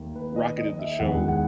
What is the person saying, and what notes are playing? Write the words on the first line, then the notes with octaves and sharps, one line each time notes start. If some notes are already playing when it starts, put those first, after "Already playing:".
rocketed the show
Already playing: D#2 D#3 A3
B4
D#5
D#5
E5
E2 D#3 G#3 F#5
F#5